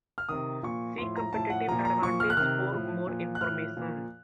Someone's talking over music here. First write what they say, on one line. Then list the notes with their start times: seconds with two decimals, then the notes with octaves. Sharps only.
See competitive advantage for more information.
0.18 F6
0.29 C3 D#3 D#6
0.63 A#2 F3 C#6
0.98 A2 F3 C6
1.16 A#5
1.33 A2 F3 A5
1.50 F#5
1.68 A#2 F3 A#5
1.85 A#5
2.02 A#2 F3 C#6
2.20 F6
2.30 F#6
2.37 C3 D#3 F6
2.72 A2 F3
3.07 A#2 F3
3.35 F#6
3.41 A2 F3 F6
3.77 A#2 F3